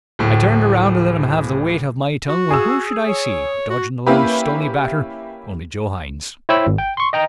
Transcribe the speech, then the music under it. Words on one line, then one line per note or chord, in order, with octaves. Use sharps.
I turned around to let him have the weight of my tongue when who should I see dodging along Stony Batter only Joe Hynes.
D1 A2
F#4
G#4 E6
C#5
F#4
A#3 C#4 E4 G4 B4
E4 C5 C#5 G5 B5 E6
G#1
G5
C6 C#6
D#5 G5 A#5